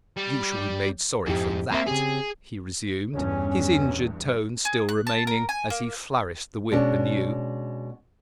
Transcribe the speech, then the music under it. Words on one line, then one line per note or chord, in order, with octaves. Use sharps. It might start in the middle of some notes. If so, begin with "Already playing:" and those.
"You shall be made sorry for that!" he resumed, his injured tone still remaining, as he flourished the whip anew.
G3
F2 G#2 E4 G4
A#3 C4 C5 E5
C#3 C4 G4 G#4
E2 G2 C#4
G#4
F#6
A5
A#4
G#5
A#3
B2 G#3 C#4 D4